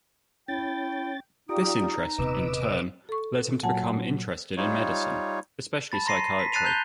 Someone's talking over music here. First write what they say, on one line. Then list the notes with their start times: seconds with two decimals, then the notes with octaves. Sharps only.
This interest, in turn, led him to become interested in medicine, especially psychiatry.
0.48 C#4 E4 G5 A6
1.49 D#4 F4 G4 D5 D#6
2.18 D#1 C3 B3 B4 D#5 D6 E6
3.09 A4 C#6
3.63 A#2 F#3 F#5 G#5 A5
4.57 G3 D#4 F4 C#5
5.92 A5 B5 A6
6.06 A#5 C6 A#6 C7 D#7
6.27 C7
6.39 B6
6.52 A5 F#6 A6 C7 D#7 F7
6.64 A#5 F#6 G6 F7 G7